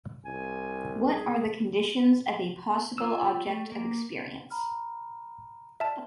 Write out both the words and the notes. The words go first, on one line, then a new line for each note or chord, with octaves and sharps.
What are the conditions of a possible object of experience?
C2 G#5
G#4
F4 C#5 E6
A3
A#3
A#5 B5 F6
D5 E5 A5 F6